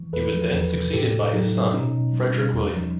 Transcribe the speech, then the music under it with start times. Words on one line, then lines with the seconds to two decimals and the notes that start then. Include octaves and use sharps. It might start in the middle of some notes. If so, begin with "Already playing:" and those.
He was then succeeded by his son, Frederick William.
Already playing: E3
0.13 E2 A4 B4
0.34 F3
0.54 E2
0.74 C3
0.93 A2 G4 A4
1.14 A2
1.33 F#3 D#4 F4
1.54 F#3
1.73 B2 C#4 D#4
1.93 B2
2.13 G3
2.34 G3
2.53 E2
2.74 F3